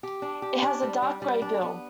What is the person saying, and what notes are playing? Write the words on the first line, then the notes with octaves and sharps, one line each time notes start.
It has a dark grey bill.
G4
D4
G4
D4
G3
G3
G3
D4
B3